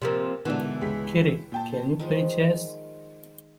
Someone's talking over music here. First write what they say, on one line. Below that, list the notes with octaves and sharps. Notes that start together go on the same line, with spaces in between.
Kitty, can you play chess?
C3 F3 A#3
G#2 B2 D3 E3 D4
C#2 G#3 B6
A#2 G5 A5
D#3 F3 G#3